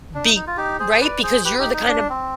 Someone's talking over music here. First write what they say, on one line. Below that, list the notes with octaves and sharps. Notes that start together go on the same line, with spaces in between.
be Right? Because you're the kind of
D4
D#4
D#4
F4
D#4 G4
G#4 C5
B4 D5
G#4 C5
G4 B4
D#4 G4
D#4
D4
C4